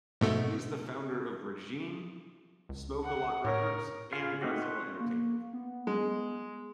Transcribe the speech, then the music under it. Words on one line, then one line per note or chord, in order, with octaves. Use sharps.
He is the founder of The Regime, Smoke-A-Lot Records and Godzilla Entertainment.
G#2 B2 A3
C#2
F#5
A2 A#4 C#5
F4 G#4 F5 C6
A3 C4 D#4 F#4 G4
G4 C6 C#6 F#6
A#3
B3
G#3